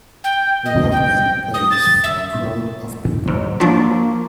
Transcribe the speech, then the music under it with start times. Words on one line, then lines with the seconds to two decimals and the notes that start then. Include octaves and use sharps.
A rock band plays for a crowd of people.
0.24 G5
0.65 D#5
0.92 G5
1.54 D#6
1.71 A6
2.04 E5
3.28 G#2 F#3
3.60 F3 F#3 A#3 D4